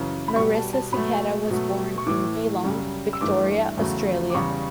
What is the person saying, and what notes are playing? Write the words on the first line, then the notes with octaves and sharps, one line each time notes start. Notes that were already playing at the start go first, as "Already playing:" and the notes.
Marisa Siketa was born in Geelong, Victoria, Australia.
Already playing: F#2 C#3 E3
B5
B2 G3 C#6
A5
A5
B2 F#3 A3 B5
B2 F#3 A3
C#6
A2 E3 A3 D6
F#2 C#3 G3
E6
G2 E3 A3 D6
E2 C#3 F#3 A3
D6
E2 C#3 G3 C#6